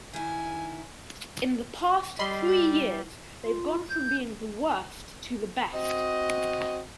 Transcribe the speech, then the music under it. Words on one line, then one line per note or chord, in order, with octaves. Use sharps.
In the past three years, they've gone from being the worst to the best.
D#3 E4 G#5
G3 D#5 B5 C6
F4
G6
C4 F#4 D#5